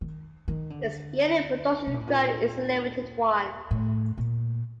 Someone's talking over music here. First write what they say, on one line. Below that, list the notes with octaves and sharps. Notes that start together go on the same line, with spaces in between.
Its yearly production run is a limited one.
D#3
D#3
D3
C3
A#2
A2
A#2
A2
A#2